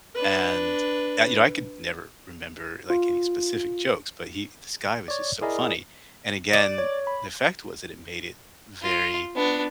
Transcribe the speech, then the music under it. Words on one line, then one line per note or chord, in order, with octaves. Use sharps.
and, uh, you know, I could never remember, like, any specific jokes, but he This guy was just so funny, and again, the fact was that it made it very
D4 B4
F4
C#5 D5
E4 G#4 A#4 D5 D#5
D5
C#5
B5
F4
B3 D4